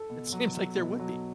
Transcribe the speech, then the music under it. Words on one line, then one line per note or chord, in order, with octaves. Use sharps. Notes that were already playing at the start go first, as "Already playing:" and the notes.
It seems like there would be.
Already playing: A4
B2
F#3
F#3
B2
F#3